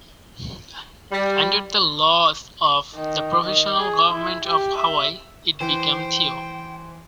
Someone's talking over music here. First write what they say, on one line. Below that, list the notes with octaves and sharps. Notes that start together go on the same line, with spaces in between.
Under the laws of the Provisional Government of Hawaii, it became Theo.
G3
D#3
D#3
G#4
E4
G4
E5
E3 C5 G5